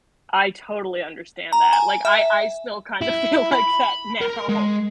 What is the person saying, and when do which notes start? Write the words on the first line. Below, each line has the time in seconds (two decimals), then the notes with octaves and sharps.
I totally understand that, like, I I still kinda feel like that now.
1.53 A#5
1.73 G#5
2.05 E5
3.01 E4
3.52 B5
4.22 A#4
4.49 G#3